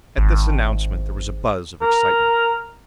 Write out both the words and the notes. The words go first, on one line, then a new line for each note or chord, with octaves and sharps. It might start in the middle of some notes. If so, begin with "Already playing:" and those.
At this announcement there was a buzz of excitement.
G#1
A#4